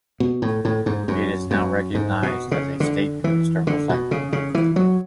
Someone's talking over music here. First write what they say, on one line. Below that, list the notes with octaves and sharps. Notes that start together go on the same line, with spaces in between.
It is now recognized as a state historic site.
B2
A2
A2
G#2
F#2
F#2
G#2
B2
C#3
D3
E3
D3
B2
C#3
C#3
E3
F#3